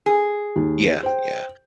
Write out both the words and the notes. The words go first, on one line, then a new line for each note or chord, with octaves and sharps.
Yeah. Yeah.
G#4
D#2
C5 G5